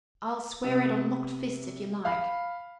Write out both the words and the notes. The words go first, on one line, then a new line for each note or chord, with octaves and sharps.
'I'll swear it on locked fists, if you like.
C3 B3
F5 B5